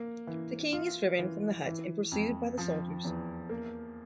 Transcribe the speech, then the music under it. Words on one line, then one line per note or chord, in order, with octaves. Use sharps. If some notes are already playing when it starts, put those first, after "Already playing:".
The king is driven from the hut and pursued by the soldiers.
Already playing: A#3
E3
F4
E3
E3
F2
F3
E2
A#3